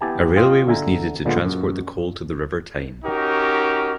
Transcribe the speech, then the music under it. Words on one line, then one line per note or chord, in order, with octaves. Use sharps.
A railway was needed to transport the coal to the River Tyne.
B3 E4 G4 G#5 A5
F4 C5 D#5 F5 G5
D3 E5 G#5 A#5
A#2 D3 G#3 B3 F4
F#2
C#4 D#4 F#4 G4 A#4